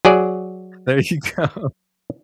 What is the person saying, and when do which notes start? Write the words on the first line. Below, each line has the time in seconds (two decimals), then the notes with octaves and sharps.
There you go.
0.05 F#3 G#4 D5